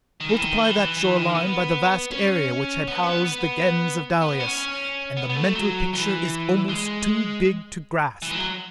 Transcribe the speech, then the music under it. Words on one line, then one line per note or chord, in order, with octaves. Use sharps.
Multiply that shoreline by the vast area which had housed the Gens of Dalis, and the mental picture is almost too big to grasp.
D#3
E3
D#3
E3
E3
D#3
B3
C#4
B3
C#4
B3
B3
B3
C#4
B3
B3
A3
F#3
E3
G#3
E3
G#3
F#3